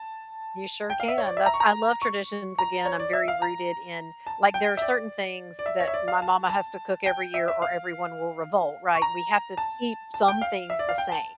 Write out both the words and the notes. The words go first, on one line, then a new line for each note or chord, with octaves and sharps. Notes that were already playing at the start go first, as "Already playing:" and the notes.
You sure can, that's I love traditions. Again, I'm very rooted in like, there are certain things that my mama has to cook every year or everyone will revolt, right? We have to keep some things the same,
Already playing: A5
G5
F5
E5
C#5
D5
E5
A#5
C#6
A#5
C#6
A#5
C#5
D5
E5
F5
A#5
A5
G5
E5
D5
D5
E5
C#5
E5
D5
F5
A5
A5
G5
E5
E5
F5
C#6
A#5
A5
A5
G5
F5
E5
D5
F5
G5
A5